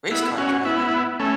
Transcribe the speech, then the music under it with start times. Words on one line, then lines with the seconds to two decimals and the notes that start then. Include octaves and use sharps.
race car driving
0.11 B3 E4
0.38 C#4 F#4
0.65 B3 E4
1.20 A3 C#4